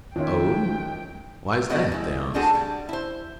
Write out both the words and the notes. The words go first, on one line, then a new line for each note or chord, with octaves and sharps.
"Oh! why's that?" they ask.
D#2 C#4 D#4 F4 C#5 E5 G5
B2 G3 B3 F#4 D5 D#5
G#3 E4
A3 C4 D4 F#4 G#4 A4
G3
E4 C5